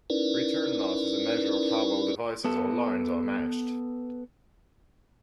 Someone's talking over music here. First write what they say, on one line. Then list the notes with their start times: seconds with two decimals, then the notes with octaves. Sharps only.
Return loss is a measure of how well devices or lines are matched.
0.10 C#4 D#4 E4 A#4 B4 D5
2.45 B3 A4